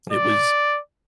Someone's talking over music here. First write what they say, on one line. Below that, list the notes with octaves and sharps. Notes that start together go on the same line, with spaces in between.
it was
D5